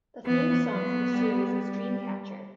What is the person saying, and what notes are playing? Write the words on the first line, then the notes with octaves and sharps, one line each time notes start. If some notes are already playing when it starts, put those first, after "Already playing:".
The theme song for the series is Dream Catcher.
E3 B3
F#3 B3
G3
G3